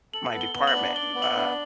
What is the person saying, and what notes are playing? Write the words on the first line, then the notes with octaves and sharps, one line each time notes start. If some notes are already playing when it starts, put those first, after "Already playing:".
my department, uh
A4 F#7
B3
G7
B3
F#7
D4
D5 G7
B3
F#7
D4